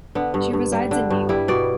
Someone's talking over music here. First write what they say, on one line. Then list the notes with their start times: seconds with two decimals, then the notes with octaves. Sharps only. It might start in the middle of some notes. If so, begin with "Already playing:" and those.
She resides in New York.
0.15 D3 B3
0.34 G2
0.53 G2
0.72 G3
0.91 D3
1.10 G2
1.29 G3 E4
1.48 B2 D5